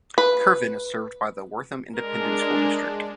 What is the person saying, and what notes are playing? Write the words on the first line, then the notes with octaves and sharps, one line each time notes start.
Kirvin is served by the Wortham Independent School District.
B4
G#3 D4 A#4